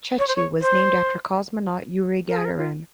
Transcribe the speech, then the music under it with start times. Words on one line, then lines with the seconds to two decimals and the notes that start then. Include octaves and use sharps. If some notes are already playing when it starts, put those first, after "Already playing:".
Chechi was named after cosmonaut Yuri Gagarin.
0.19 C#5
0.28 C5
0.36 C#5
0.61 C5
2.28 A#4
2.37 G#4
2.45 A#4
2.57 F4